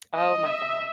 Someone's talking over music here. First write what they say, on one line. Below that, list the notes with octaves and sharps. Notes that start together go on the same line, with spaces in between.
Oh, my god.
D#5
E5